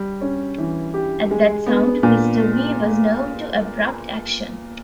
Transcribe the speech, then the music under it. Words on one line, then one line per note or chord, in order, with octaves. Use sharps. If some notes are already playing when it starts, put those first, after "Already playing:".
At that sound Mr. V. was nerved to abrupt action.
Already playing: G3
C#4
E3
G4
G#3
B3
A#2